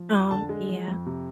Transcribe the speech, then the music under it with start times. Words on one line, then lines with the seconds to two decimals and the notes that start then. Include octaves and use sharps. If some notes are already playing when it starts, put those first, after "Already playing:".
Oh, yeah.
Already playing: F3
0.12 F2
0.31 D3 A5
0.49 G#3
0.69 F3
0.88 F2
1.06 C3